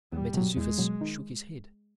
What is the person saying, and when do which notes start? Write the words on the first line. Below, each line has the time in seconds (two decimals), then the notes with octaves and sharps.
Mentezufis shook his head.
0.12 E2 G3
0.34 B2 F#3
0.56 E2 G#3
0.78 B2 F#3
1.01 D#3